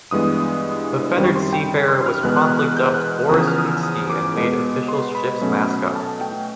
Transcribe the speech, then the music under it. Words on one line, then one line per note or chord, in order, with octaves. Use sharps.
The feathered seafarer was promptly dubbed Boris Hootski and made official ship's mascot.
G2 E3 G#3 B3 D#6
F#2 D#3 G3 C4
C#6
C6
G5
C6
F6
E2 B2 G#3 B3 F#6
F#6
F6
F#6
G6
F6
F#6
E2 C#3 F3 D#6
F6
D#6
E6
D#6
D6
B2 G#3 B3
C6
B5
B2 F#3 A3 C#4
A5
G5